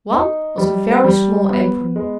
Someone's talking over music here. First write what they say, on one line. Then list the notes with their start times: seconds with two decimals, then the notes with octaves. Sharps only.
One was a very small apron.
0.12 D#4
0.58 G3
1.04 G3
1.50 B3
1.96 G#3